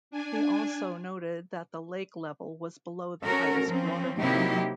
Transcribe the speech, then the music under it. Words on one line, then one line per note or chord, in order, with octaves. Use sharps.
He also noted that the lake level was below the highest watermark.
D4 G#5
C#4 F#4 A4 A#4
F3 C4 C#4
C3 F#3 A#3 D#4 E4 G4